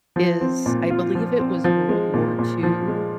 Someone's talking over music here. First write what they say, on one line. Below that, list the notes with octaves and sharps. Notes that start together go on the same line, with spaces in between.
is, I believe it was World War II
F3
C4
A#2
F4
F3
C4
F3
G#3
A#2
A#2
F3
G#3